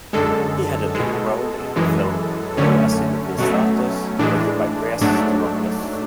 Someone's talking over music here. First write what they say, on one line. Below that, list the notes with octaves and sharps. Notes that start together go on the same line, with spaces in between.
He had the leading role in the film "O Asymvivastos", directed by Andreas Thomopoulos.
F#2 D3 G#3 A4
B2 G#3
F#2 E3 G#3
F#2 D3 A3 C#4
B2 F#3 A3
A2 E3 G#3 D4
G#2 F#3 A3 D4